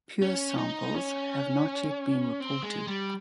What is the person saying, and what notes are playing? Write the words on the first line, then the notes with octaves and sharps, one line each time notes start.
Pure samples have not yet been reported.
C#4
D#4
C#4
C4
G#3
G3